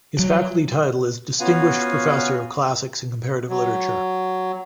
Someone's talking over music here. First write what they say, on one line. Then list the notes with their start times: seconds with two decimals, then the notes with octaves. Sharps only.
His faculty title is "Distinguished Professor of Classics and Comparative Literature".
0.19 F#3
1.40 B3 C#4 F4 F#4 F5 G#5
3.48 F#3